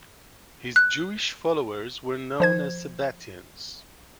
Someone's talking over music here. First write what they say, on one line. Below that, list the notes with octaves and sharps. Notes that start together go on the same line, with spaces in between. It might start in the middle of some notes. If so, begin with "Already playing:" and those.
His Jewish followers were known as Sabbateans.
F#6
F3 C5 G#6